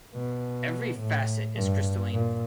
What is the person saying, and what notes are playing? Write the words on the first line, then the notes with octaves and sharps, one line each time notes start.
Every facet is crystalline.
B2
A2
G2
A#2